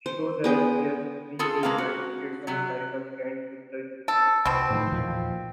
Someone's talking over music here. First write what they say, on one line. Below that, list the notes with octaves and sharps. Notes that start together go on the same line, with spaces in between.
Show that, yes, we the United States of America stand with the Ukrainian people.
C5
B3 G#4 G5
F4 G#4 A4
G#3 A#3 C4 B4 F5
F#4
C3 F#3
A4
C2 B2 C4
A2 D#3 F3
E2 A#2 F3